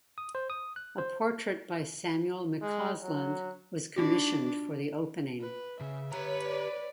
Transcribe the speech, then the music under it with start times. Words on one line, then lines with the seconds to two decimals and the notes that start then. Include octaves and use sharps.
A portrait by Samuel McCausland was commissioned for the opening.
0.18 D#6
0.35 C5
0.50 D#6
0.76 F#6
0.98 C5
2.62 G#3
3.03 F#3
3.96 D4 D#4 F4 F#4
5.40 B4
5.81 C#3 E5
6.12 G4 B4 C#5 A#5
6.45 D5